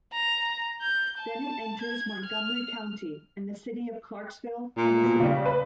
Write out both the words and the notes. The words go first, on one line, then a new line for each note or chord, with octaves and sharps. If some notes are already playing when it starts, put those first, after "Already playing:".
Then it enters Montgomery County and the city of Clarksville, Tennessee.
A#5
G6
A5
G#6
F6
A#2
B2
C#3 G3
B4